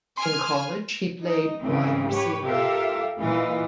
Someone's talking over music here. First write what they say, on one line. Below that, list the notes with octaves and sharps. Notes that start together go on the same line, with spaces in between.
In college he played wide receiver.
G#5 C6 F6
D#4
G#2 C#3 E3 C4
G4 B4 C#5
F4 G4 A4 A#4 E5 F5
A#2 E3 D#4 F4